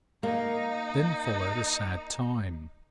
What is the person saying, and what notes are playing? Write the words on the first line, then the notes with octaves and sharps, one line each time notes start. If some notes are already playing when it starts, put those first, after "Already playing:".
Then followed a sad time.
A#3 D#4